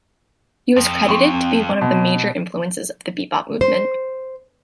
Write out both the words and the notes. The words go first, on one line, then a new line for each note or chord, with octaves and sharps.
He was credited to be one of the major influences of the bebop movement.
F2
C4 C6 C#6
B2
C5